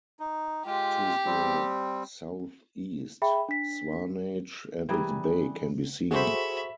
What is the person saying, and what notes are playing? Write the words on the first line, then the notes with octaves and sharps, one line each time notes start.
To the south-east Swanage and its Bay can be seen.
D#4
G#3 F4 G4
G3 C4
G#4 E5 G5 B5
D4 B6
E3 G3 G#4 A#4
F#4 G#4 A4 C5 E5 B5 C#6